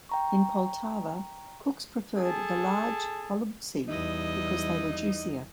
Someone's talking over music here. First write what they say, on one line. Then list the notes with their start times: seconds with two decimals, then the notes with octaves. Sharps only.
In Poltava cooks preferred the large holubtsi because they were juicier.
0.09 G5 A#5 C#6
2.16 G#4 A4 A5
3.88 E2 G3 D#4 E4 D#5